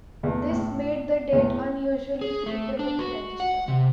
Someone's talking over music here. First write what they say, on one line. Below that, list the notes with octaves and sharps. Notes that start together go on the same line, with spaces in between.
This made the date unusually frequent in the register.
E2 A3
A2
E2 A2
G#4
A3
D4
F#4
F#5
C3